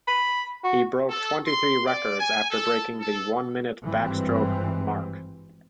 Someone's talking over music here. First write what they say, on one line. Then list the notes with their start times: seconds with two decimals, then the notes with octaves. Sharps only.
He broke twenty-three records after breaking the one-minute backstroke mark.
0.07 B5
0.64 F#4
1.09 A4
1.46 C6
1.85 D5
2.18 G#5
2.51 A4
3.00 A4
3.84 G#1 G2 E3 G3 C4